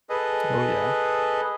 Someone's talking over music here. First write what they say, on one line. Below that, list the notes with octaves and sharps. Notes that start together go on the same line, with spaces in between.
Oh, yeah.
G#4 A4 B4 D#5